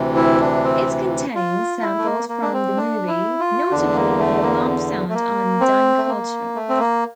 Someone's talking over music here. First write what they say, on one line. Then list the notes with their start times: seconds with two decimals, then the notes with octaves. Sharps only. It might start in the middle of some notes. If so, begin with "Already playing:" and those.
It contains samples from the movie, notably the alarm sound on "Dying culture".
Already playing: D2 C3 E3
0.16 E4
0.41 D4
0.64 C4
1.35 F4
1.82 E4
1.98 A3
2.05 A#3
2.29 A#3
2.42 D4
2.53 C4
2.77 D4
3.08 E4
3.40 F4
3.71 E2 D3 D4
3.95 A#3
4.19 A3
4.42 A#3
5.09 A3
5.14 A#3
5.61 C4
5.98 A3
6.08 A#3
6.56 A3
6.69 C4
6.79 A#3